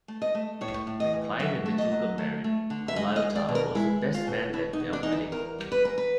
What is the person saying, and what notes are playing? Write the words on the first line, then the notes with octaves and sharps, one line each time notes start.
When Klein and Mitchell got married, Colaiuta was the best man at their wedding.
A3
D#5
A3
A2 C#5
A2
D#5
E3
F#3 E5
A3
D#5
F#3
A3
A3
D3
E5
G#3 D#5
D#5
G#3
D5
B2
A#4
G#3 E4
G#3
F4
B2
B2 E4
D#4
B2
D4
E2 D#4
E4
E2 A#4
G3
B4
E2 A#4
B4